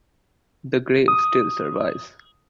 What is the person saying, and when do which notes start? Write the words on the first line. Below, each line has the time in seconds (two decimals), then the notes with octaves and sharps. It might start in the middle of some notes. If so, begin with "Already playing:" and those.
The grave still survives.
1.08 D#6